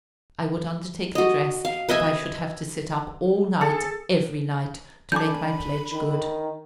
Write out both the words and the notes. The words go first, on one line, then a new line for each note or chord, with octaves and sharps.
I would undertake the dress if I should have to sit up all night--every night, to make my pledge good.
F#4 D#5
F5
B4 D#5 E5 G#5
G#4 A4
D4 A4 G#5 B5 D6 G6
D#3